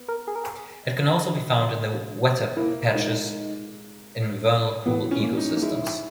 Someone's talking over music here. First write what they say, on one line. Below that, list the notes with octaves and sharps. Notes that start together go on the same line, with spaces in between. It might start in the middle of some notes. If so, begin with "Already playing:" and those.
It can also be found in the wetter patches in vernal pool ecosystems.
Already playing: B3
A#4
G#4
A#4
G#4
A#3 E4
G#3 D#4
E3 B3
C#4
G#3
A#3
D#4
A#3
G#3 E4